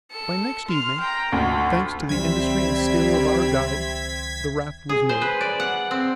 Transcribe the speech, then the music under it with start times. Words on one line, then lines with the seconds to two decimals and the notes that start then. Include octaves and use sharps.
By next evening, thanks to the industry and skill of our guide, the raft was made.
0.11 A4 C#7
0.67 C6 F6
1.00 G5 A#5
1.32 D2 F4 B5
2.09 C#2 D#3 F#3 G3 C4 E5 G#6 B6
4.89 G#4
5.09 C5
5.22 B4
5.41 D5
5.60 F#5
5.91 C4